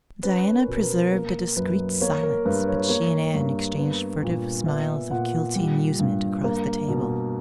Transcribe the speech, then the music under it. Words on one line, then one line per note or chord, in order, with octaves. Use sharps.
Diana preserved a discreet silence, but she and Anne exchanged furtive smiles of guilty amusement across the table.
C#4 B4
A#4
B2
A#4
B4
A#3 A#4
F#2 B4
A#3 C#5
A#4
G2 B4
C#5
B4
A#3 C#5
G2
B3
A#2
B3 E5
A#2 F#5
G3
G2
A#3
B2